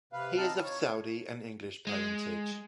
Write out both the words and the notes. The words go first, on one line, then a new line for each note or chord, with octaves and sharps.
He is of Saudi and English parentage.
C3 B4 F5
C4 D#4 A5 F6
C#5
G#3